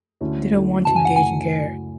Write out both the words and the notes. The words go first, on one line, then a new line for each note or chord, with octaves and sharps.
They don’t want to engage in care.
D2 D3 A3 C#4 E4
D2 D3 A3 C#4 E4
F#2 C#3 F#3 A3 E4 A5
G#5
F#5
F#2 C#3 F#3 A3 E4 G#5